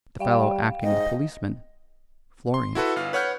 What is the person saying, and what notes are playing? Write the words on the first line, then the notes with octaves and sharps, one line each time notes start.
The fellow acting the policeman--Florian.
G3 F5 G5
G#2 D#5
C6
E4 F#4 A4 B4
G1 F5 F6
B4 C#5 F#5 F6 G6